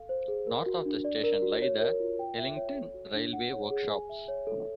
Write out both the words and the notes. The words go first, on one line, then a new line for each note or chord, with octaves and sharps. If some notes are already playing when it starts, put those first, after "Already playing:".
North of the station lie the Islington Railway Workshops.
Already playing: A4 F5
C5
G#4
A#4
F#4
D4
D5
A#4
F#4
C#5
A#4
F4
G5
E5
C#5
A4
F#4
D4
F#5
C#5
G#4
G#5
E5
C#5
A4